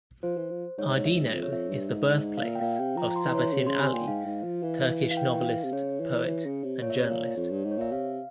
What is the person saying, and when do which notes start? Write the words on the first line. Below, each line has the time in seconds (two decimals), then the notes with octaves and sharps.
Ardino is the birthplace of Sabahattin Ali, Turkish novelist, poet and journalist.
0.23 F3 C5
0.37 E3
0.51 F3
0.78 G#2 C#5
0.96 G#2
1.05 E5
1.14 G#2
1.29 G2
1.32 F2 E5
1.43 C#5
1.51 F2 E5
1.69 G2
1.88 G#2
2.37 F5
2.43 A#2 E5
2.55 G5
2.61 A#2 F5
2.79 C3 G5
2.97 F3 A#5
3.11 A#5
3.16 C6
3.25 E3
3.34 C#5
3.53 C#3 C#5
3.61 C3
3.66 C#3 C6
3.80 C3 G#5
3.94 A#2 G5
4.07 G#2 F5
4.26 G#2
4.44 F3
4.62 E3
5.11 F5
5.17 G5
5.45 F5
5.64 C3
5.72 C#3 C#5
6.00 E3
6.27 E3
6.46 C#3
6.64 C3
6.82 A#2 C#5
6.90 E5
6.98 C3 C#5
7.10 A#2
7.37 F2
7.51 G2
7.64 G#2
7.71 C#5
7.78 A#2 E5
7.92 C3 F5